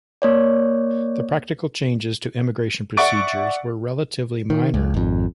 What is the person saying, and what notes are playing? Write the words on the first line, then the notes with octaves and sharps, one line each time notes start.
The practical changes to immigration procedures were relatively minor.
A#3 C#5 D5
D5 E5 F#5 C#6 A6 D7
D#3
C#2
G#1 F2